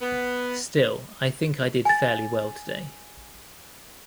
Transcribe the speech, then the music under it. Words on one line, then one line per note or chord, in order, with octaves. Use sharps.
Still, I think I did fairly well today.
B3
G#5 A6